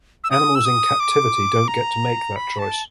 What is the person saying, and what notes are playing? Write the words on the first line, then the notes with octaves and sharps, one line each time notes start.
Animals in captivity don't get to make that choice.
E6
D#6
E6
D#6
D6
A#5
B5
A5